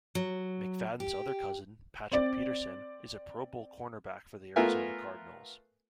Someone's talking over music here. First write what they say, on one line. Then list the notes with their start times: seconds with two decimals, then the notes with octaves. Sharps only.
McFadden's other cousin, Patrick Peterson, is a Pro Bowl cornerback for the Arizona Cardinals.
0.15 F#3
1.00 G4
2.11 C4 D5
4.56 A3 B3 F4 A#4 E5 G#5